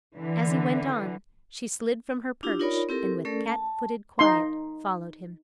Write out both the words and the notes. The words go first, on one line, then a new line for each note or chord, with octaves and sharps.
As he went on, she slid from her perch and with cat-footed quiet followed him.
D3 E3
D4 E4 F4 G4
D#4 F4 A#4 C#5 D5 B5
C4 E4 G4 A4 A#4
A3 C#4 A4 A#4 D5
A5
D#4 C6